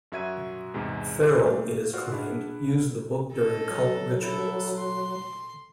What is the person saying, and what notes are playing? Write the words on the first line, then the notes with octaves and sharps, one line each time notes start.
Ferrell, it is claimed, used the book during cult rituals.
F#2 F#4 E5 G#6 D#7
E2 G#2 C3
F4 G#4 D6 G6
A3 A#3
F4 F#4 C5 D5 F#5 F6
D4 E4 G#4 F#5
A4 D#5
F#3
E4 A4
C6